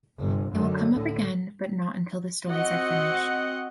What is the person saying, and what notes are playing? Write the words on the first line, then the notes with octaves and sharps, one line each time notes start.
They will come up again but not until the stories are finished.
G1 C3
F#2 D3 D#3
D2 A2 D3
C4 F#4 D#5 F#5